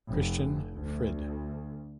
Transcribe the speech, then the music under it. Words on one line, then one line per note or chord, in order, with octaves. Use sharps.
Christian Frid.
F1
D2